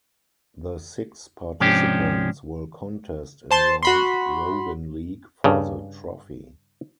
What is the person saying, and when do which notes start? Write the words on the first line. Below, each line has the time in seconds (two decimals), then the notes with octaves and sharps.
The six participants will contest in round Robin league for the trophy.
1.60 G#2 C3 F3 C#4 D4 G4
3.51 C5 A5 C6
3.83 F#4 B5 C6
5.44 G2 C#3